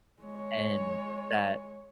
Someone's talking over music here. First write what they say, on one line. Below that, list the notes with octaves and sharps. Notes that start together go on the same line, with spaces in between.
And, that
G#3 C#5